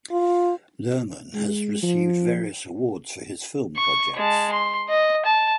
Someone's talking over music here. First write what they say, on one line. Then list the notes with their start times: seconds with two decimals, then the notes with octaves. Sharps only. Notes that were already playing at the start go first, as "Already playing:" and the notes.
Luhrmann has received various awards for his film projects.
0.11 F4
1.34 G#3
1.83 F3
3.77 C#6
4.16 G#3 A5
4.52 C6
4.89 D#5
5.25 A5